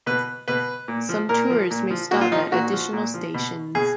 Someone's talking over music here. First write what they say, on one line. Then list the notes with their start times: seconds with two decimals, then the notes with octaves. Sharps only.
Some tours may stop at additional stations.
0.06 B2 B4
0.48 B2 B4
0.88 A#2
1.09 F3
1.29 A#2 A#4
1.50 F3
1.70 A#2
1.90 F3
2.11 A#2 F#4
2.21 F4
2.31 F3 D#4
2.52 A#2 F#4
2.73 F3
2.93 A#2
3.14 F3
3.34 B2
3.75 B2 G#4